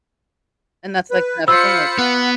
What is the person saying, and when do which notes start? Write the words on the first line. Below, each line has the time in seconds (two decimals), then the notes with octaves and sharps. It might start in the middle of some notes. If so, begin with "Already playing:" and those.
And that's, like, another thing, like,
1.11 B4
1.48 F4 C5 B5 E6 C#7
1.98 B3 B4 F#5